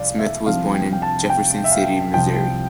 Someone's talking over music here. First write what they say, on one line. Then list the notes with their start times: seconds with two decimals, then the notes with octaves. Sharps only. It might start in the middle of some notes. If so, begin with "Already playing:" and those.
Smith was born in Jefferson City, Missouri.
Already playing: C2 F3 D5 F5
0.18 E5
0.46 C2 C3 F3 F5
0.74 G5
0.93 G5
1.02 A5
1.30 G5
1.64 E5
1.72 F5
2.14 C2 C3 F3 G5